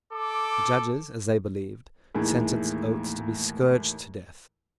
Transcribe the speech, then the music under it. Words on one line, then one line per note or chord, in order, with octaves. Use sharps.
The judges, as they believed, sentenced Oates to be scourged to death.
A4 D6
D#2 A2 E3 G#3